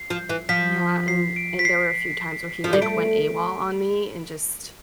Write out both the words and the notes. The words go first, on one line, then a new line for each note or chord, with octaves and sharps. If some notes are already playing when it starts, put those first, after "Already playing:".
Yeah, and and there were a few times where he, like, went AWOL on me and just
Already playing: C7
F3
E3
F3 B6
C7
D7
B6
C7
F3
G3
A3 D7